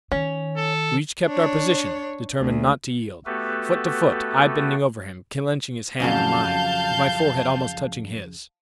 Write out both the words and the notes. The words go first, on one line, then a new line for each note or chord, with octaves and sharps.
We each kept our position, determined not to yield, foot to foot, I bending over him, clenching his hand in mine, with my forehead almost touching his.
D#3 C#4
A4
D4 C#5
D2
A3 B3 F#4 G4 A4 B4
F2 C#3 F#3 F5 A5 G6